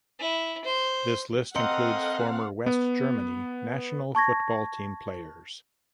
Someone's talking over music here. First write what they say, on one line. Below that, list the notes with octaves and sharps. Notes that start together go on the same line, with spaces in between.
This list includes former West Germany national football team players.
E4
C5
C4 A4 A#4 D#5 F5 F#5 C6 C#7
B3
A5 C#6 G#6 A#6